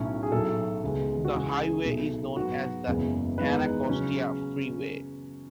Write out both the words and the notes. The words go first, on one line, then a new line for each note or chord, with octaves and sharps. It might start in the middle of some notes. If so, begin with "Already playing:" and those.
The highway is known as the Anacostia Freeway.
Already playing: B1 A2 F#3 C#4 E4
G#4
B1 A2 F#3 A3 A4
C#2 C#3 G#3 B3
F#4
C#2 C#3 E3 G#4
B1 B2 A3 D#4
G#2 F#3 B3 F#4
F#1 E2 C#3 G#3 B3
E2 D#3 G#3 B3 D#4 B4
C#3 F#3 C#4